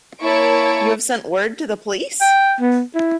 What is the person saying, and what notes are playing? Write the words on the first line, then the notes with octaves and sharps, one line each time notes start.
You have sent word to the police?
A#3 E4 C#5 A5 C#6 D7
G5
B3
E4